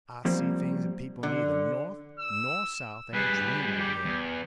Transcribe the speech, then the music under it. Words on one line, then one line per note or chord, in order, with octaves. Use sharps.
I see things that people neither North nor South ain't dreamed of yet.
F3 G3 A#3 C4
D3
E6
G3 G#4 B4
G4
E2